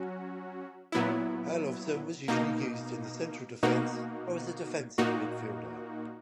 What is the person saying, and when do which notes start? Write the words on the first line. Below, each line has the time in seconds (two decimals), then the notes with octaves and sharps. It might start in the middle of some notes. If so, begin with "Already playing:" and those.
Herlovsen was usually used in the central defence or as a defensive midfielder.
Already playing: F#3 C#4 F#4
0.92 A#2 F#3 B3 E4
2.28 B2 A#3 D#4
3.63 B2 A#3 D#4 F#4
4.98 A#2 A#3 D#4 F#4